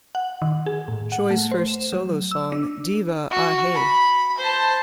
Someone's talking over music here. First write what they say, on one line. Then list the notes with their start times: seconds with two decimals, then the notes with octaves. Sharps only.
Choi's first solo song, Diva, Ah Hey!
0.15 F#5
0.42 D#3
0.66 G#4
0.88 A2
1.12 F#5
1.31 A3
1.51 C5
1.68 E7
1.92 F#3
2.31 E6
2.52 D4
3.31 F#4
3.74 B5
4.38 C5 A5